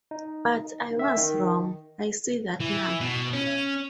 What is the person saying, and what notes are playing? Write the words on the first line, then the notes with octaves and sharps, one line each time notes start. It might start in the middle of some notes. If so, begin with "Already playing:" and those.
But I was wrong — I see that now.
D#4
E5
D#3
E3
B2
C#4